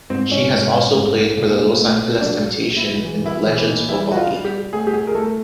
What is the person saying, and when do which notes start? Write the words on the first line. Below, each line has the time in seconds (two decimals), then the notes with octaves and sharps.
She has also played for the Los Angeles Temptation in the Legends Football League.
0.10 G#2 C4
0.31 C#4
0.53 G#2
0.94 G#2
1.37 A#2
1.79 A3
2.21 F#3 D4
2.63 F#3
2.77 E4
3.05 E3
3.26 E4
3.47 E3 E4
3.67 D#4
3.88 G3 E4
4.11 F#4
4.17 F4
4.31 G3
4.45 G4
4.73 A3 G#4
4.87 G4
4.93 G#4
5.07 A#4
5.15 A3 A4